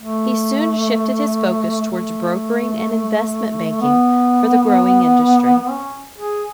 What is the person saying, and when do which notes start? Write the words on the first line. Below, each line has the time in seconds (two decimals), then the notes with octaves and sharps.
He soon shifted his focus towards brokering and investment banking for the growing industry.
0.02 A3
1.91 A3
3.81 B3
5.59 B3
5.71 C#4
6.18 G#4